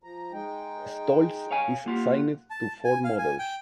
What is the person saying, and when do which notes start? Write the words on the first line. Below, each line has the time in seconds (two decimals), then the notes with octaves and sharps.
Stolz is signed to Ford Models.
0.03 F3 A#5
0.33 G#3 D#4 G5
1.51 C#5 F5 G#5
1.86 A#3 F4 G4 F#5
2.50 A5
2.84 G#5
3.04 F5
3.18 G#5
3.39 G5